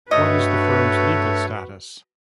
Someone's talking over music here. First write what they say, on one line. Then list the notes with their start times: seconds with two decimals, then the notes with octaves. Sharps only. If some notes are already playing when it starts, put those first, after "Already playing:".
What is the firm's legal status?
0.11 G2 A3 F#4 A4 B4 C#5 D#5